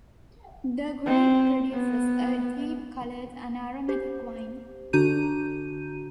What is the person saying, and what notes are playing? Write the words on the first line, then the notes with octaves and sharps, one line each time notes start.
The grape produces a deep-colored and aromatic wine.
C4
B3
G4 C5
D3 D4 F#4 A#5 G6 D#7